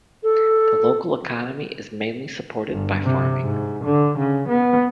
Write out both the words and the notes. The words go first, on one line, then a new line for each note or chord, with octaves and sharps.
The local economy is mainly supported by farming.
A4
G1
C3
G#2
D3
C#3
B3